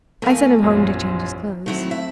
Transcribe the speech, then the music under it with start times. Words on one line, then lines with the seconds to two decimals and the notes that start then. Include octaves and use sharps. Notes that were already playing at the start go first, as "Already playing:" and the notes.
I sent him home to change his clothes...
0.22 E2 A3 A#4 F5 G#5
0.63 A#1 F#2 G3
1.66 D#3 F#3 A3 C4 E4
1.91 E5